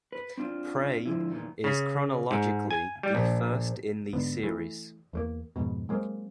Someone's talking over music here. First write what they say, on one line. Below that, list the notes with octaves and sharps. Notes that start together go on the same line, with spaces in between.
"Prey" is chronologically the first in the series.
B4
C4 D4 F4
G#2 D3 F3 D4 E4
E2 A#2 D#3
C#3
G#2
G#5
G3
A#1
G#2 D3 B3
E3 A3
E2 A3 A#3
F2 G#2 B2
F#3 G#3 A#3 C4